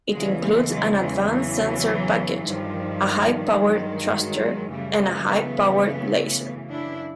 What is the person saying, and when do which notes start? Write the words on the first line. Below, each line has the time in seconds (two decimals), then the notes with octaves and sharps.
It includes an advanced sensor package, a high-powered thruster, and a high-powered laser.
0.13 E2 C#3 E3 F#3 G#3
0.41 G#3 A#3
0.70 F#3 G#3
0.99 E3 F#3
1.27 E3 F#3
2.41 G2 D#3 F3 G3
3.56 F#3 G#3
4.12 F#3 G#3
4.69 F#2 C#3 E3 G3 A3
4.98 G#3 A#3
5.26 A3 B3
6.70 D4 E4